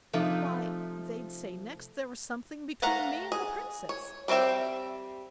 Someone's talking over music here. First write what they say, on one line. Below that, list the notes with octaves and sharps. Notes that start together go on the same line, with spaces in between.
'Why they'd say next there was something between me and the Princess.'
C3 F3 A3 D#4
A3 F5 F#5 A#5
G#4
C#5
G3 C4 F4 E5 G5